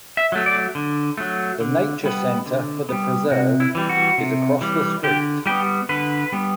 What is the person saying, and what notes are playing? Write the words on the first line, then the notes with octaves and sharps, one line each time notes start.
The nature center for the Preserve is across the street.
E5
F#3 A3
D5
D3
F#3 A3
D3
G3 B3
D3
G3 B3
C3 F#4
E4
E3 G3
F#4
C3
E3 G3
D3 G4
G3 B3 G4
D3 B4
G3 B3